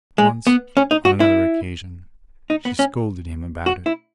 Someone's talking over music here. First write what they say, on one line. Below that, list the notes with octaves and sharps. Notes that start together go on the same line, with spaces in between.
Once--on another occasion--she scolded him about it.
G#3
B3
C#4
D#4
F#4
E4
D#4
B3
C#4
F#4
E4